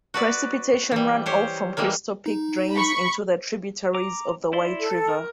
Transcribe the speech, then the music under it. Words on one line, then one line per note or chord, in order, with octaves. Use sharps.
Precipitation runoff from Crystal Peak drains into tributaries of the White River.
F#4 B4 D5
E3 G3
G4 C5 C#5
E3 G3 G#3 A#3
D#4
B5 C#6
A#5 D6
E4 D5 C6
A4
A#4